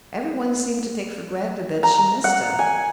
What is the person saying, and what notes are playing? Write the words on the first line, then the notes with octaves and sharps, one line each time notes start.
Every one seemed to take for granted that she missed him.
A#5
F#5
G#5